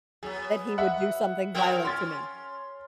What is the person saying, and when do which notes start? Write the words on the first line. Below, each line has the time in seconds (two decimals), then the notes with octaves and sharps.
that he would do something violent to me.
0.23 F#3 B3 G#4
0.78 E5 F#5
1.54 F3 C4 A#4
1.85 C#4 C6 F6 A6